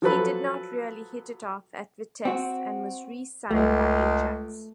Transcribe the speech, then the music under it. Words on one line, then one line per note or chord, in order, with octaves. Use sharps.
He did not really hit it off at Vitesse and was re-signed by Ajax.
F3 F#3 A4 B4 B5
C4 F#4
C#2 A3